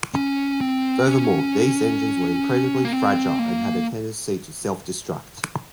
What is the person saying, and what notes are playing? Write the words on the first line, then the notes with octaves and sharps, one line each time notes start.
Furthermore, these engines were incredibly fragile and had a tendency to self-destruct.
C#4
C4
C#4
A#3
C4
A#3